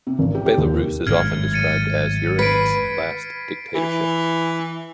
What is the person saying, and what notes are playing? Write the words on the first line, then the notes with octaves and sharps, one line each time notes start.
Belarus is often described as "Europe's last dictatorship".
C3
G#1
G4
G4
D#2
G#1 F#2 A2 F6 G#6
A6 C#7 D#7
B4 B6 C7 D7
E3